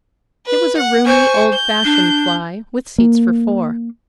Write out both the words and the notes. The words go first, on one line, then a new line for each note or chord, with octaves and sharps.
It was a roomy, old-fashioned fly, with seats for four.
B4
F#5
C5 G#5 C#6
G6
D4
A#3